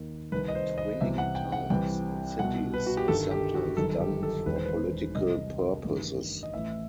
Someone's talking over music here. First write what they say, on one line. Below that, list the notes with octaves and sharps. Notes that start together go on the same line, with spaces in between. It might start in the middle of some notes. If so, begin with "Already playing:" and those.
Twinning towns and cities is sometimes done for political purposes.
Already playing: D#2 D#3
C2 C3 D#3 B4
D#5
C5
D#5
C2 C3 E3 E5
F#5
G5
F#5
C2 C3 E3 G5
C2 B2 F#5
B4
F#4
G4
G1 G2 D#3 A4
G4
F#4
G1 F#2 D#3 A4
G4
A4
E1 E2 D#3 B4
C5
B4
C2 C3 E3 D#5
A1 G2 D#3
D#5
A1 A2 E3 E5